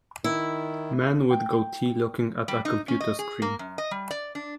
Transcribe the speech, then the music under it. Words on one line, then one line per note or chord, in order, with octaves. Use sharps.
Man with goatee looking at a computer screen.
D#3 E4
G5
G3
D#4
C#4
D#5
G#4
A#3
F#2
D#5
G3
D5
D4